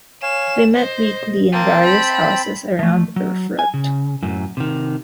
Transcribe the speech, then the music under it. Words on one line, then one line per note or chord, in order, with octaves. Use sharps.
They met weekly in various houses around Erfurt.
C#5 F5 G#5 E7
C5 D#5
A#3 C4 G5 A5
B5
F3 A3
F#3
G#5
C#3
F#2 A2
C3 D#3